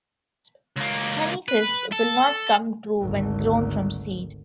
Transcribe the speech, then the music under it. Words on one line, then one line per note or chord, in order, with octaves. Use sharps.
Honeycrisp will not come true when grown from seed.
C#2 A#3
B4
A4
G#1 D2